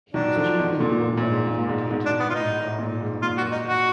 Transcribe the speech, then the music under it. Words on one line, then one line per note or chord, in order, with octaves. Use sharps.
He is chiefly known by the part he took in the Arian controversy.
D#3 F#3 D4
D3 F3
B2 D#3
A#2 D3
A#2
G#2
A#2
G#2 B2
G#2 B2
D4
B3
F4
D#4
A#2
G#2
A#2 F4
F#4
D#4
F#4